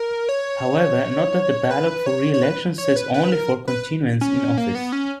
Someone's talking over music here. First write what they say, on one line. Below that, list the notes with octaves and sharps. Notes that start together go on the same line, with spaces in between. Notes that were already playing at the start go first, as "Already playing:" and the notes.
However, note that the ballot for re-election says only 'for continuance in office'.
Already playing: A#4
C#5
B4
C#5
C#5
B4
C#5
B4
B4
A#4
B4
C#4
A#3
B3
C#4